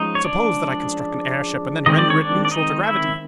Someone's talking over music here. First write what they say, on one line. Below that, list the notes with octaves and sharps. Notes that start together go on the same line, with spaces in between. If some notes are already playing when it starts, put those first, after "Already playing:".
Suppose that I construct an airship and then render it neutral to gravity.
Already playing: F3 G#3 C#4 D#4
C#5
D4 D5
D#3 G#3 C4 D#5
D5
C#5
D4 D5
D5
D#4 D#5
E4 E5